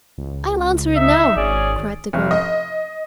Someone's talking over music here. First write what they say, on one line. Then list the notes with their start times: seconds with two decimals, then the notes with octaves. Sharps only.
"I'll answer it now!" cried the girl.
0.18 C#2
0.96 D#4 D#5 E5
1.36 G#1 C#4 G#4 D5
2.13 F1
2.31 D#5